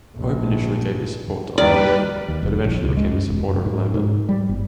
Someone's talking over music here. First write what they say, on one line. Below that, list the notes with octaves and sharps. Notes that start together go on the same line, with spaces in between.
Pope initially gave his support to Arnulf, but eventually became a supporter of Lambert.
A#1
D#2 D#3 G3 B4 D5
D#2
F1
A#1
C#2
G#3
F#2
E1
F#2
G#2
G#2
G3
G1